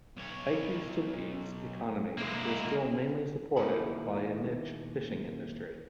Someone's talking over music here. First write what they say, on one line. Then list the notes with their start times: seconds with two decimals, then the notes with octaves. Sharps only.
Ikitsuki's economy is still mainly supported by a niche fishing industry.
0.17 B1 C#5
2.18 B1 G#3 A#3 E4
3.56 D#2 A#2 E4 D#5 B5